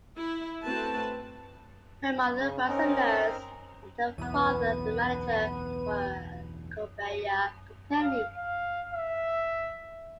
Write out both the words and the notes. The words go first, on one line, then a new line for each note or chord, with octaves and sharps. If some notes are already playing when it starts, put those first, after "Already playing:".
Her mother was a nurse, and her father a manager for a conveyor company.
E4
A3 C4 F#4 B4 A5
C#3
C4 C#4 D#4 A#4
B1 E2 B3 D#7
F5
F5
E5